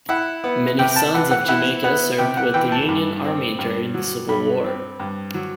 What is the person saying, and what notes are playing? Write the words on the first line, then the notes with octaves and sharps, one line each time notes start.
Many sons of Jamaica served with the Union Army during the Civil War.
E4 F#5
B3
C3 G5
A5
E3 F#5
F#5
E4 F#5
B3 F#5
C3 G5
F#5
E3 G5
A5
G2
C4
G2
F#3
G2 B5
C4
G2
F#3